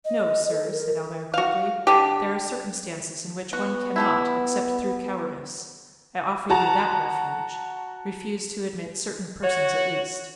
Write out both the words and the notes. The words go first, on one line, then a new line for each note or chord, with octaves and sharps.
"No, sir," said Albert, coldly; "there are circumstances in which one cannot, except through cowardice,--I offer you that refuge,--refuse to admit certain persons at least."
D#5
A4
A#4
F#4 F5
D3 G4
B3 F#4
G3 A3 E4
F#4 A5 A#5
F#4 C#5